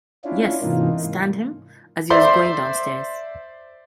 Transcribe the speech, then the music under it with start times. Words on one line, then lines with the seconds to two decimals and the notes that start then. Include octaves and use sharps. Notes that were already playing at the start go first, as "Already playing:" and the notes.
Yes — stunned him — as he was going downstairs.
0.24 C#4 D4 E4 F4
0.62 G#2 C3 E3 A#3 D#4 F4
2.10 C5 D5 E5 C6